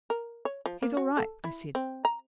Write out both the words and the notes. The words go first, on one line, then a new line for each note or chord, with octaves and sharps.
'He's all right,' I said.
A#4
C#5
F3
A#3
F#4
A4
E4
C4
A#5